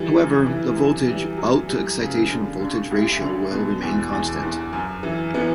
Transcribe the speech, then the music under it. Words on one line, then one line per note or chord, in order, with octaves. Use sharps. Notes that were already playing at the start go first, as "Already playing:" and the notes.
However, the voltage out to excitation voltage ratio will remain constant.
Already playing: E3 G3
F#2
E3
F#2
E3 G3
F#2 F#3
F#2 G3
C#3
D3
D3
D2 G3
D3
B2
E2
E2
E2
F#2
E3
E3 B3